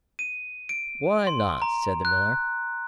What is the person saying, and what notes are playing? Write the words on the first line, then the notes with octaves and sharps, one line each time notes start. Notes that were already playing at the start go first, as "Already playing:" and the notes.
'Why not?' said the Miller.
D#7
D7
C6
A#5
F#6